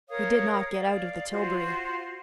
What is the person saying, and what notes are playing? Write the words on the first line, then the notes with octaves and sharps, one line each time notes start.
He did not get out of the tilbury.
A#4 C#5 F5 D#6
D5 F5
F4 F#4 C5